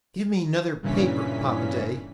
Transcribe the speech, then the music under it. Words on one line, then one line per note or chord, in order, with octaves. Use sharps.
"Give me 'nother paper, Papa-day."
G2 A#2 C#3 E3 C#4 B6